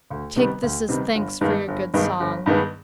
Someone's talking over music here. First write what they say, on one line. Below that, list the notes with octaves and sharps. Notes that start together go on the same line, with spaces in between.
"Take this as thanks for your good song."
D2
C3 D#3 G3 B3
D2
C3 D#3 G3 B3
G1
G2 D#3 G#3 B3
G1
G2 D#3 G#3 B3
G1
G2 D#3 G#3 B3